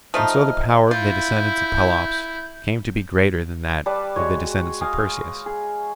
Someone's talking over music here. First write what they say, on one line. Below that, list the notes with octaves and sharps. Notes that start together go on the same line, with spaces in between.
And so the power of the descendants of Pelops came to be greater than that of the descendants of Perseus.
F3 A3 D#4 F6
E4 F4 G6
G3 B4 D5 A5
G#3 F#4 C#5
D#5 F5 G#5 D#6
G#4